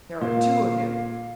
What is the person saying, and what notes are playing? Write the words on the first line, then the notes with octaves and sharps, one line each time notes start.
There are two of him.'
A#2 F5